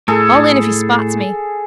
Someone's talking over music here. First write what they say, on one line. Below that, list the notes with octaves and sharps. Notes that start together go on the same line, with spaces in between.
All in if he spots me.
A2 G#4 A4